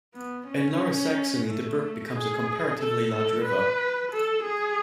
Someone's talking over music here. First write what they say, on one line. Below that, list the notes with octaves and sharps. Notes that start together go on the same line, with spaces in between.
In Lower Saxony the brook becomes a comparatively large river.
B3
C#4
A3
G#4
A4
A4
B4
A4
G#4